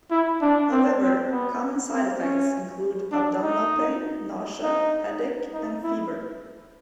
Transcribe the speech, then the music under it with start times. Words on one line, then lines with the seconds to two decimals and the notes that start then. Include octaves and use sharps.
However, common side effects include abdominal pain, nausea, headache, and fever.
0.11 E4
0.41 D4
0.71 C4
1.01 C4
1.32 B3
1.92 C4
2.22 C#4
3.12 D4
3.42 D#4
4.63 D#4
5.54 D#4
5.83 E4